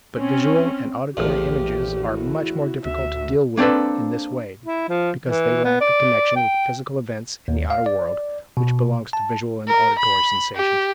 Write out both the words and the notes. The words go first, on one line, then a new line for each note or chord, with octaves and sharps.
But visual and auditory images are much more difficult to deal with in this way, because they lack the connection with physical events in the outer world which belongs to visual and auditory sensations.
C4 C#4
A#1 E2 A2 F3 G4
E4 F#4
D2 F#4 E5
A#3 C4 D4 A4 B4
E4
F3
E3
B3
D5
G5
D#2
F5
D5
B2
A5
A#4
B5
G4